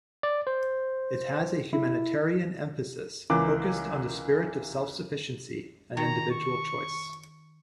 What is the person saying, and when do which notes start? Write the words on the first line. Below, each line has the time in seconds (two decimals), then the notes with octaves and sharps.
It has a humanitarian emphasis focused on the "spirit of self-sufficiency and individual choice".
0.23 D5
0.47 C5
1.73 E4
3.30 C#2 E3 A#3 D6
5.97 D#3 C#5 A#5
6.31 C#6